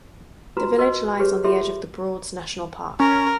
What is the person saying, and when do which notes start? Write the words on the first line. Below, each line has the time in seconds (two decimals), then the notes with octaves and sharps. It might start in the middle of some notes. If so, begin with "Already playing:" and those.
The village lies on the edge of The Broads National Park.
0.57 F4 F#4 B4 A#5 C6
0.78 F#4 A#4 B4 D#5 C6
1.19 G4 G#4 B4 C#5
1.44 F4 G4 A4 C#5 E5 C6
3.00 C#4 A#4